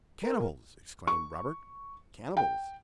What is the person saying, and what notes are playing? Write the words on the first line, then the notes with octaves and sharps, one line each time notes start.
"Cannibals!" exclaimed Robert, "cannibals?"
A#4
C#6
G5